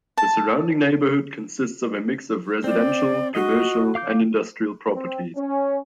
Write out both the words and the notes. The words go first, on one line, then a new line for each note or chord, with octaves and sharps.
The surrounding neighborhood consists of a mix of residential, commercial, and industrial properties.
A5
C4 D5
F#4 D#5
F5 D6 G6
C4
C#4